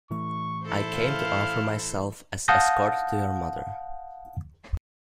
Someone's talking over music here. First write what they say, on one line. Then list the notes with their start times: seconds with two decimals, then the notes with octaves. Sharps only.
I came to offer myself as escort to your mother.
0.10 A2 E3 A3 C#6
0.64 E4 A4 C5
0.94 F5
2.48 F5 F#5 A5 D#6 G6 A#6